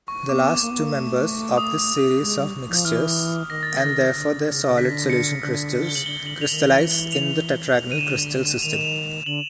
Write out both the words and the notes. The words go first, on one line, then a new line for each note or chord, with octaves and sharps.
The last two members of this series of mixtures, and therefore their solid solution crystals, crystallize in the tetragonal crystal system.
C#6
B3 D6
A#3
B3
A#3
A3
D#6
G#3
G3
F3
E3 F6
D#3 A#6
A6
A#6
D3
D3
C#3
C#3
D3 B6
C#7
D3
C#3 F#7
D3 G7
D3
F#7
D3
F7
D3 D#3 F#7
E3
G7
F7
D#3 D#7
D3 E7
D#3 F7
E7
F7
D3 F#7